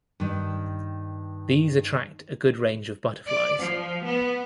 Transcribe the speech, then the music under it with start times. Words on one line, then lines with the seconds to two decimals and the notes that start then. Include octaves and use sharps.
These attract a good range of butterflies.
0.20 G2 D#3
3.26 D5
3.58 F3
4.04 B3